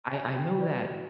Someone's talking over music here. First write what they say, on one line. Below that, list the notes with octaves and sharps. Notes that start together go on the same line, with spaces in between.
I I know that,
G#5
G5
F#4 B4 D5